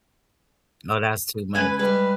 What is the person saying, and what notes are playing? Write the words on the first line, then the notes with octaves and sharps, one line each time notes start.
No, that's too much
C#2 B4 G#5
G3 G#3 B4